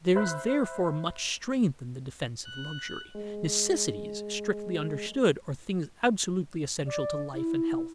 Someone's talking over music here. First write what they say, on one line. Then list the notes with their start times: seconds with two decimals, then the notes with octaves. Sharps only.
There is therefore much strength in the defense of luxury. Necessities, strictly understood, are things absolutely essential to life and health.
0.16 C5 E5 B5 E6 F#6
2.45 F#6
3.15 G#3
6.86 D5
7.33 E4